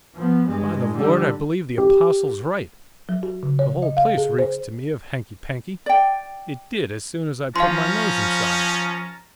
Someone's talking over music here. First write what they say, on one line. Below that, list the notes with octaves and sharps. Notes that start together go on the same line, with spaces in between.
'By the Lord, I believe the Apostle's right,--the whole place reeks to me of hankey-pankey,--it did as soon as I put my nose inside.
F3 B3
G2 G#3
D3 G3
G4
F#3
F#4
C#3
C#5
D#5
F5
G#4
C5
D5 G5
F3 C#4 A#4 F5 A5 A#5 C6